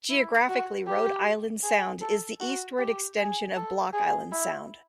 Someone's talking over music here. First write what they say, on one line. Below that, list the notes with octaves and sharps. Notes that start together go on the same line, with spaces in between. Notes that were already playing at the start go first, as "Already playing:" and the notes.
Geographically, Rhode Island Sound is the eastward extension of Block Island Sound.
E4
F#4
G4
G#4
A4
F#4
G4
G#4
A4
G#4
E4